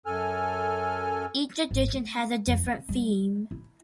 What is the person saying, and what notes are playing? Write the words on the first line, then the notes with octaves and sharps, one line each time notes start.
Each edition has a different theme.
F#2 A4 G#5 F6
G#1
A3
F2
C4
G3
E4